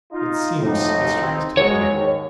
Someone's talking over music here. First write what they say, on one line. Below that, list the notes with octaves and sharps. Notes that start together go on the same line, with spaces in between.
It seems history is to blame.
D#4 F4
B1 F2 A2 F3 D#4
D#3 C4
F#3 G#3 C#5
D#2 G#2